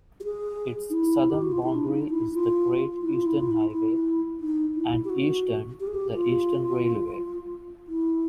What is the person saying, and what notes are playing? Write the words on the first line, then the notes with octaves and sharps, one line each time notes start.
Its southern boundary is the Great Eastern Highway, and eastern the Eastern Railway.
G4
G#4
D#4
E4
G4
F#4
F4
E4
D4
D#4
E4
F4
E4
F4
E4
F4
E4
E4
D#4
E4
G4
F#4
G4
G#4
G4
F4
E4